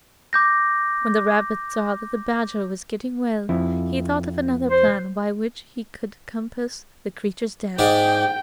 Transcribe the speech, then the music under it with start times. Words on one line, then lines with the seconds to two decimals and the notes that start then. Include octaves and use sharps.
When the rabbit saw that the badger was getting well, he thought of another plan by which he could compass the creature's death.
0.33 D6 G6 A#6
3.49 F2 E4
4.70 C5
7.79 G#2 G#3 D5 G5